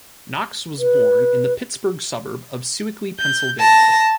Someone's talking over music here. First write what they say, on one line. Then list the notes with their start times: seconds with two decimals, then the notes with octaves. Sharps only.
Knox was born in the Pittsburgh suburb of Sewickley, Pennsylvania.
0.79 B4
3.19 G6
3.60 A5 A#6